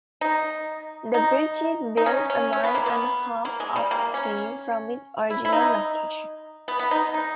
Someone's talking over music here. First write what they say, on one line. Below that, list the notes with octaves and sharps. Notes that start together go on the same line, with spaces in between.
The bridge is built a mile and a half upstream from its original location.
D#4
D#4
D#4
C#4
C#4
C#4
B3
A#3
B3
A#3
G#3
G3
A#3
C#4
E4
E4
D#4
B3
B3
D#4
D#4